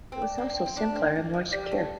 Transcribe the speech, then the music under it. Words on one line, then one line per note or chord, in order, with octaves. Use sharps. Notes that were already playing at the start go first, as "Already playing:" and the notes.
It was also simpler and more secure.
C4
D4
A#3
C4
C4
D4
C4
A#3
E3
G3
A3